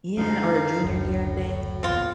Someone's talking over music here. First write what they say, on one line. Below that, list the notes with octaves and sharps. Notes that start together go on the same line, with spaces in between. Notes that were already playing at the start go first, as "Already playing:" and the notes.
yeah, or a junior year thing.
F#2 D3 F3 D#4 F5
F#1 D2 A2
A#1 E2 C4 F4